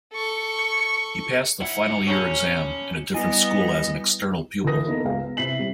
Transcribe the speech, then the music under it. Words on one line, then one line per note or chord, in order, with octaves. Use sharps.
He passed the final year exam in a different school as an external pupil.
A4 C#6
G2 E4 F#5
A#1 F#3 C#4 C#5
G3 B3 E4 D#5 G#5 D#7
D3 E3 A#4 B4 D#6 A#6
A#3 B3 D#4 A4
C#2 F5
B3
C3 E4 B6 C7 F#7
C3 G3